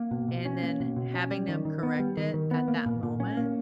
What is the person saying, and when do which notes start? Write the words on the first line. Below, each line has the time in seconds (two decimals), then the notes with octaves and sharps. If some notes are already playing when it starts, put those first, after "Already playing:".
and then having them correct it at that moment,
Already playing: A#3
0.11 B2
0.28 B2
0.45 C#4
0.62 A#3
0.80 B2
0.96 B2
1.14 C#4
1.31 G3
1.48 D#3
1.65 D#3
1.83 B3
1.99 G3
2.17 D#3
2.34 D#3
2.51 B3
2.68 A#3
2.86 A#2
3.03 A#2
3.20 C#4
3.37 A#3